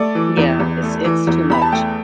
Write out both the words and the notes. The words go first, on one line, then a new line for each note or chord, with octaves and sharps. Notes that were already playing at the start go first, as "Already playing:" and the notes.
Yeah, it's it's too much.
Already playing: A3 D5
E3
E2
E2
A3
E3
E2
E2 B5
A5
A3 G5